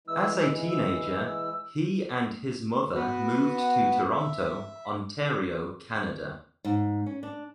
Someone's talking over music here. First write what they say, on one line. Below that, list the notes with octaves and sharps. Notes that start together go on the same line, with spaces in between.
As a teenager, he and his mother moved to Toronto, Ontario, Canada.
E3 G#3 E4 E6
B3 F#4 B4
E5
G#2
C#4
D4